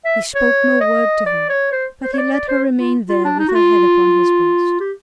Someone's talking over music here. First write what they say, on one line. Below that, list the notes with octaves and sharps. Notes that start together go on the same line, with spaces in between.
He spoke no word to her, but he let her remain there with her head upon his breast.
E5
C#5
D#5
D5
C#5
C5
C5
C#5
D5
D5
C5
F4
F4
D4
D#4
F#4
F4
G4